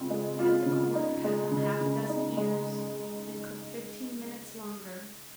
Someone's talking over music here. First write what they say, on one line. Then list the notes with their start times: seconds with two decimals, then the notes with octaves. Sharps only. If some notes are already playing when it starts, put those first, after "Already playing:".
Add the corn cut from half a dozen ears, and cook fifteen minutes longer.
Already playing: C#3 G#3 C4 F4
0.10 G#3
0.39 F4
0.66 C#3
0.95 D#4
1.24 G#3
1.51 C#3
1.81 C#3
2.09 D#4
2.37 G#3